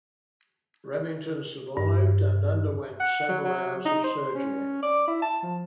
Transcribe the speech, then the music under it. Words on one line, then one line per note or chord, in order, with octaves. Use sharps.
Remington survived and underwent several hours of surgery.
G2
F#5
F#3
F#3
D#4
C5
C#4
D5
E4
A5
F3